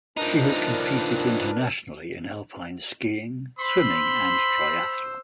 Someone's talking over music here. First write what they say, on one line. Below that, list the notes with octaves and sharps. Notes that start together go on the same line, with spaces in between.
She has competed internationally in alpine skiing, swimming and triathlon.
F3 D4 D#4 A#4 B4
C5 B5 C6 E6